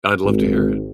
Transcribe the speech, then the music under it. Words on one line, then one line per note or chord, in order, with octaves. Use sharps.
I'd love to hear it.
G#1